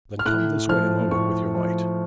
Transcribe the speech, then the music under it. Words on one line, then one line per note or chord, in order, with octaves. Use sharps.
'Then come this way a moment with your light.'
F6
A2 F#6
F3 F6
A2 C#6
F3